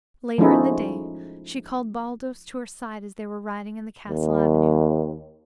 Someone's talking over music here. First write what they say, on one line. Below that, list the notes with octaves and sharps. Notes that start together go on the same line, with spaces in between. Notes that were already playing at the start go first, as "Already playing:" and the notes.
Later in the day she called Baldos to her side as they were riding in the castle avenue.
F3 G#3 A3 C#4 D#4 E4
D#2